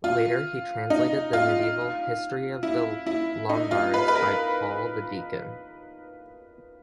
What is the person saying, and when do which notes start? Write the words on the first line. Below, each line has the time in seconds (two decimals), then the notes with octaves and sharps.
Later, he translated the medieval "History of The Lombards" by Paul the Deacon.
0.04 F4
0.90 D#4
1.33 F4
2.63 E4
3.06 E4
3.49 D#4
3.71 F4
3.94 B4
4.08 B4
4.15 A#4